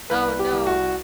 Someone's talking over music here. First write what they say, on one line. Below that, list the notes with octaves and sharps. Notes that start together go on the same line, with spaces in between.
Oh, no.
C2 B4
G4
C2
F#4